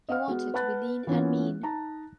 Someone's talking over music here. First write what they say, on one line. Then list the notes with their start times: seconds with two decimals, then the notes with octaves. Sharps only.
He wanted to be lean and mean.
0.09 D#5 F5 F#5 F6
0.27 G#3 B3 F#4
0.54 B4 F#5 A5 B5 F#6 A6
1.07 E3 B3 C#4 E4 F4
1.63 D#4 A5 A#5